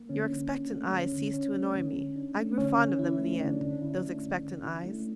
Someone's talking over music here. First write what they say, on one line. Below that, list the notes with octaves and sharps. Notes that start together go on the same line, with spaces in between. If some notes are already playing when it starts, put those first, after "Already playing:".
Your expectant eyes ceased to annoy me, I grew fond of them in the end, those expectant eyes.
Already playing: A#3
D3 C#4
D3
D4
A3
D3 C#4
D3
C#4 D4
A3
D3
D3
D4
A3
D3 C#4
D3
E4
A3
D3 D4
D3
E4
A3
D3
D3
E4
A3